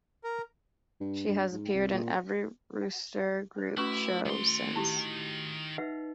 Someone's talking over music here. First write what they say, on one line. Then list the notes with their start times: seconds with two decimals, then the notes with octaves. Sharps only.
She has appeared in every Wooster Group show since.
0.24 A#4
1.00 G2
1.28 G2
1.52 G#2
1.74 C2
1.93 A#2
3.58 C5
3.77 A3 C#4 E4 F#4 B4 C#6
4.26 D#3 C6
4.76 E4 G4
5.78 D#4 B4 E5 F#5